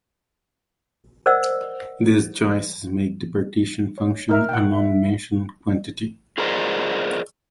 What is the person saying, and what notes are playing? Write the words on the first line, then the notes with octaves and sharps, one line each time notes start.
These choices make the partition function a nondimensional quantity.
A#4 C5 D5 D#5 F#5 E6
C#5
D#4 A#4 E5 F6
F#5 G5
E5
F4 G#4 A#4 C5 D5 D#5